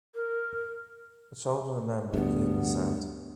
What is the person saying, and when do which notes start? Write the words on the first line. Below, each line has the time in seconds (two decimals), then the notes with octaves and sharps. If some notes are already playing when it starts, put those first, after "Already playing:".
A child and a man walking in the sand.
0.15 A#4
2.14 D2 G2 B3